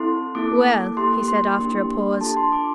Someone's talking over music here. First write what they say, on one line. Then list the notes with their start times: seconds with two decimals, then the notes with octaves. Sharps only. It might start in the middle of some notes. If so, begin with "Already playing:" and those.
"Well?" he said after a pause.
Already playing: C4 E4 A4 C6
0.35 A#3 E4 A4 D6
0.97 A#3 E4 G4 C6
1.28 C6
1.60 A#3 D4 G4
2.21 D4 F4 A4 A5
2.37 C6
2.52 D6